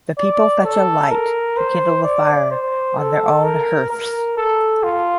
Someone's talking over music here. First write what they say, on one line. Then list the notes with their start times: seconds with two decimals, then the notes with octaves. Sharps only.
The people fetch a light to kindle the fire on their own hearths.
0.18 D5
0.64 A4
1.11 A#4
1.57 C5
2.04 D5
2.51 C5
2.97 A4
3.44 A#4
3.90 A#4
4.37 A4
4.83 F4